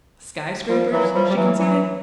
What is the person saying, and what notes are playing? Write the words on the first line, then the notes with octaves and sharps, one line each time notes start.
"Sky-scrapers?" she conceded.
F3 G3
E3 F#3
F3 G3
G3
E3 F#3
E3 F#3